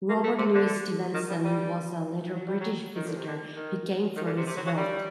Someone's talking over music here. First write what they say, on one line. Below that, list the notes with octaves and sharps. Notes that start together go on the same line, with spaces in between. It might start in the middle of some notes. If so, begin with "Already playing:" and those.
Robert Louis Stevenson was a later British visitor who came for his health.
A#3
A3
C3
D3
D#3
G3
G3
F#3
G3
F#3
D#3
D3
C3
D3
D#3
D#3
D3
C3
C3
F#3
F#3
G3